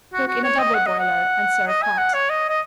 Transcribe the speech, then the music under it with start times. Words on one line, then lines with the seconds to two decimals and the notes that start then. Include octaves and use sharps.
Cook in a double boiler and serve hot.
0.13 F#4
0.28 F#4
0.43 C#5
0.59 D#5
0.74 F#5
0.86 D#5
0.99 F#5
1.67 D#5
1.83 G#5
1.98 F#5
2.14 C#5
2.29 D#5
2.49 D#5